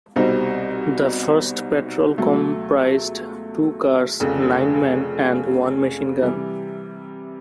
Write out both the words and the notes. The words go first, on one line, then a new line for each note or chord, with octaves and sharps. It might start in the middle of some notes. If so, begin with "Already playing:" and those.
The first patrol comprised two cars, nine men, and one machine gun.
C2 B2 G3 C4 D#4
C#2 B2 F#3 A3
F1 F2 C#3
C3 E3 G3